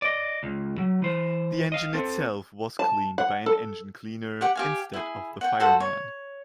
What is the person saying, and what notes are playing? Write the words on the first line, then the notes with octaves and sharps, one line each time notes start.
The engine itself was cleaned by an engine cleaner instead of the fireman.
D5 D#5
C#2
F#3
E3 C5
D#5 F5
C4 A4
A5
F#5
A4
G4 F#5
G4 F5 G#5
E4 G#4
F#5 G5
F#4 A4 C5
C#5